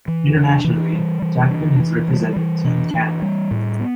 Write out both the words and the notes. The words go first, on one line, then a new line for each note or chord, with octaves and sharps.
Internationally, Jackman has represented Team Canada.
E3
D4
E3
G3
E3
D4
E3
G3
E3
D4
E3
G3
A2
B3